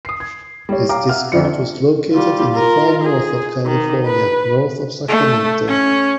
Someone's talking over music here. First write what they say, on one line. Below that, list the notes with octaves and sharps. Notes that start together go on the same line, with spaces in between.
His district was located in the far north of California, north of Sacramento.
D#6 C7
G#6
G3 C#5
F5 G5 A#5 D6
E5 F#5 F6
F2 D3 D5 E5 C#7
G3 F4
F4 A#4
G#4
D#3
B4
A3
C#4